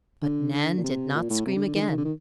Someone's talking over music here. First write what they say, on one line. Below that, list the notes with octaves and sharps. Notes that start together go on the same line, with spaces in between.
But Nan did not scream again.
D3
D3
A#2
C3
A#2
A2
C3
D3
D3
D#3
D3
D#3
D3
D#3